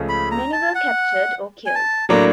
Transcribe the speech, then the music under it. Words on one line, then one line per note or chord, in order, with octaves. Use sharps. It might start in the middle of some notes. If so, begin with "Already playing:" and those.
Many were captured or killed.
Already playing: C#2 C#3 F3 A3 C#4
B5
A#5
A5
F#5
G#5
A5
A2 F#3 A#3 D4 A#5